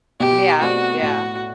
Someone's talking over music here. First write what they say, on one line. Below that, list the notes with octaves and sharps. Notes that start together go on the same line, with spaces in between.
Yeah, yeah.
B2 G4
A3 C4 F#4 G4 D5
A2 F#4